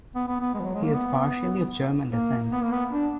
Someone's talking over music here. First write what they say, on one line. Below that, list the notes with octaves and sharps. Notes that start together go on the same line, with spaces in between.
He is partially of German descent.
B3
B3
B3
G#3
F3
F#3
G#3
A#3
B3
A#3
B3
A#3
B3
D4